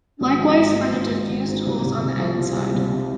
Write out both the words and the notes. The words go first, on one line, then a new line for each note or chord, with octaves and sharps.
Likewise for the diffused holes on the N-side.
G#1
F3
G#2
G#1
G#1
G#1
G#1
G#2
C2
C2
C2
F3
C2
C2
C2
C3